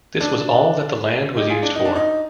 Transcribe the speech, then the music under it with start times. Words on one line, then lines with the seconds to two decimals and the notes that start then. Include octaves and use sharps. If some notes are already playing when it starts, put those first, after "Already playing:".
This was all that the land was used for.
0.21 D4
1.37 D#4 G4
1.50 F4 G#4
1.63 D4
1.75 D#4
1.85 D4
1.95 D#4